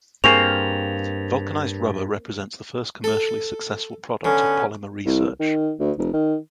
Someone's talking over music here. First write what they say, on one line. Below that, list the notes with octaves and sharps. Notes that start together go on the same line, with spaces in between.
Vulcanized rubber represents the first commercially successful product of polymer research.
G2 A#3 C4 G#4 G#5 C#6 F7
A4
D3 B3 C#4
C2
D#3
D2
F1
D#3